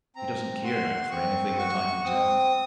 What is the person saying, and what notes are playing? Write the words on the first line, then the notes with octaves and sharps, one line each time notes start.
"He doesn't care, now, for anything that I can tell him."
C4 A#5
F#4 C6
C4 C#6
F#4 C#6
C4 D#6